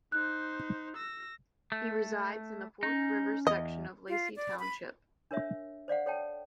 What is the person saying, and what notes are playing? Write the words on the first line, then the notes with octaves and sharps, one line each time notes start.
He resides in the Forked River section of Lacey Township.
D#4 C5 F#6
E6 A#6
A3
C#4 D#4
E2 D#5
F4
D5
B5
D4 A#4 C#5 E5
C5 D5 F5 F#5
A4 C#5 G5 A5